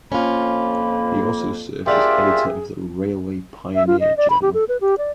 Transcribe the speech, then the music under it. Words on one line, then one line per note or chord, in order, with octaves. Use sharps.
He also served as editor of "The Railway Pioneer" journal.
F2 A#3 C#4 F4 B5
A#3 D4 F4 G4 G#4 D5 E5 G5
E5
F4
D#5
D5
B5
G4
A4
B4
G4
D5